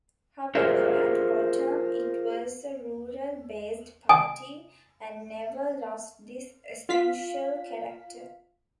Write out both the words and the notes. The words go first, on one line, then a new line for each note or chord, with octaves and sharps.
However, at bottom, it was a rural-based party, and never lost this essential character.
F4 G4 G#4 A#4 C5 E5
G#5 D#6
F4 F5 B6